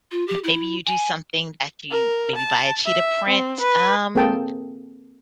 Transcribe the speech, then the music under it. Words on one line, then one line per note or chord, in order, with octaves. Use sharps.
Maybe you do something that you maybe, buy a cheetah print, um,
F4
G4
E4
G#5
A#4
A5
E5
C4
B4
A#3 C4 G#4 A4 G5 A5